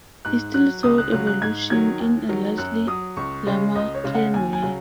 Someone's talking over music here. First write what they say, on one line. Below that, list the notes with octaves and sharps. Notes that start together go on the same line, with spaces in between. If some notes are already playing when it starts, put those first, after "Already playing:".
He still saw evolution in a largely Lamarckian way.
G#2 F#6
F#3 F#6
C#2 D#6
F#6
C#3 F#3 F#6
F#6
G#2 G#6
D#3 F#3 G#6
D#2
D#3 F#3
F#2 F#6
F#3 D#6
C#2 C#6
C#3 G#3
C#2 D#5
C#5
C#3 G#3
F#5
D#2 G#5
G#5
C#3 F#3